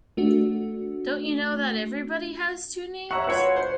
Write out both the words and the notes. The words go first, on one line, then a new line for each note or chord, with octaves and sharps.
Don't you know that everybody has two names?
A3 D4 F#4
C#5 E5 F#5 A#5 C#6
F4 F#4 B4 C#5 F#5 C6
C5